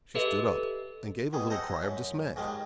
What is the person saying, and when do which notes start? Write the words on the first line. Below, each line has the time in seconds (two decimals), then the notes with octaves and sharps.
She stood up and gave a little cry of dismay.
0.15 G4 A4 B4 D#5 E5
1.33 B2 G3 G#4
1.50 A4 C5 D#5 F#5
1.82 F#2
2.36 G#2 D#3 F3 G3 G#3